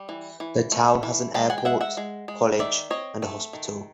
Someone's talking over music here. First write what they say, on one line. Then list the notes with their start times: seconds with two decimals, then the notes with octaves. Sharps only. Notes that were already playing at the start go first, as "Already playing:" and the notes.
The town has an airport, college, and a hospital.
Already playing: G3
0.09 E3
0.40 E3
0.72 A3
1.03 E3
1.34 G#3 G5 A5
1.50 F#5 G#5
1.58 G5
1.65 G#3 E5 F#5
1.81 E5 F#5
1.97 G#3
2.28 G#3
2.59 D#3 D5 E5
2.90 C4 C#5 D#5
3.22 A3
3.53 D#3